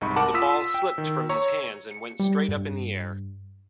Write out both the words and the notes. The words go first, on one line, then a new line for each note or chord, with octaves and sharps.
The ball slipped from his hands and went straight up in the air.
C2 G#2 D#4 B5 C#6
A#4 F#5 A5 D6
F4 D#6 E6 B6
G5
D#3
C#5 A#5 C#6
C#7
G3
G2